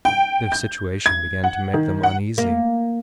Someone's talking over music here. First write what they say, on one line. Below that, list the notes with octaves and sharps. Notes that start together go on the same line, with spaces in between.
Their situation began to make them uneasy.
G5
G6
G#6
F#5
D#3
F#5
A#3